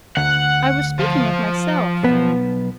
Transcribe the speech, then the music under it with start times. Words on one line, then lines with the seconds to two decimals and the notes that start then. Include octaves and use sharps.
"I was speaking of myself."
0.17 D2 F#5
0.99 F3
2.04 B1 B3